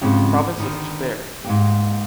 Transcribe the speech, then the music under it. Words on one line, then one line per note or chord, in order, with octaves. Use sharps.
Province of Tver’.
G#2 C#3 F3 B3 C4 G4
D3 D#3 B3
G#2 A#3 G4